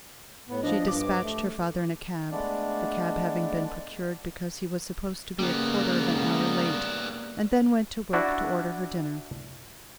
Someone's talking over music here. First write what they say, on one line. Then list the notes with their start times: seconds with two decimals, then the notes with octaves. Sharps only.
She despatched her father in a cab, the cab having been procured because he was supposed to be a quarter of an hour late, and then went to work to order her dinner.
0.49 A2 B3
0.63 F3 D4 D#5
0.88 G2 D6
1.22 A3
2.32 G#3 A3 B3 D4 D5
5.39 C#3 G3 G#3 A#3 B3
8.13 D4 E4 F#4 D5